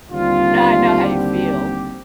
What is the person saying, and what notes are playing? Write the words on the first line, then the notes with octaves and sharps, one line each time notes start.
No, I know how you feel.
D#2 D3 G3 C4 F4
G4